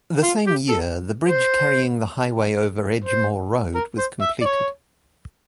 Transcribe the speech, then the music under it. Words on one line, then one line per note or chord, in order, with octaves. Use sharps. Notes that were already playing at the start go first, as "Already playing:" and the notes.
The same year, the bridge carrying the highway over Edgemoor Road was completed.
F4
G4
A4
C5
C5
A#4
C5
E5
D5
C#5